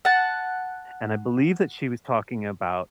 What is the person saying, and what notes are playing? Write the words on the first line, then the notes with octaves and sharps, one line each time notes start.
and I believe that she was talking about
F#5 A5